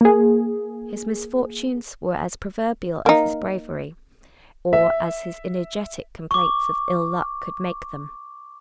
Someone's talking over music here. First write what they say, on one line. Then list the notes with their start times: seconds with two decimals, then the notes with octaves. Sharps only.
His misfortunes were as proverbial as his bravery, or as his energetic complaints of "ill luck" could make them.
0.01 A#3 G#4
3.06 A#3 D#4
4.73 E5
6.31 C#6 D6